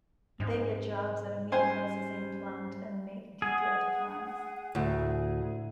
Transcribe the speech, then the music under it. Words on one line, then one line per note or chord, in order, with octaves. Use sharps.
They get jobs at a meat processing plant and make detailed plans.
G#2 C3 D#4
G3 C#4 C5 G#5
G#4 F#5
D2 A2 E5